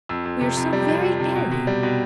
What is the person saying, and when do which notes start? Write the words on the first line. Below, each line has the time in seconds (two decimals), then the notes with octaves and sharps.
We are so very airy!
0.09 F2 E6
0.25 F2
0.41 C3
0.57 F2
0.73 G3
0.88 F2
1.04 F2
1.20 C3
1.35 B2
1.52 B2
1.67 G3
1.83 B2